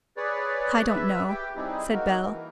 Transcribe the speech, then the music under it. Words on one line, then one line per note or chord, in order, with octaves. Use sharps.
"I don't know," said Bell.
G#4 B4 C#5 D5
B4 E5
G4 G5
G3 C4 D#4 E4 G#4
A#3 D#4 F#4 A#4
E3